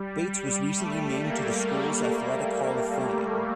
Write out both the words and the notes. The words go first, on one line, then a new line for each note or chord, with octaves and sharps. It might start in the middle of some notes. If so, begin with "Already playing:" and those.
Bates was recently named to the school's athletic hall of fame.
Already playing: G3
G3
A3
A#3